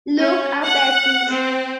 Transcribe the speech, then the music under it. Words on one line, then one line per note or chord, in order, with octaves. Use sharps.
Look after things.
C#4
F#5
C4